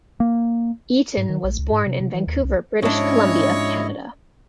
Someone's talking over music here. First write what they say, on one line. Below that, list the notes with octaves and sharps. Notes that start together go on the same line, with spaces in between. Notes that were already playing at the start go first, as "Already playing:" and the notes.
Eaton was born in Vancouver, British Columbia, Canada.
A#3
G#2
D#3
A#1
C#2
G#2
C3
C3
E3
D#2
C2
G#2 F3 C#4 D4 E4 F#4 C#5 D#5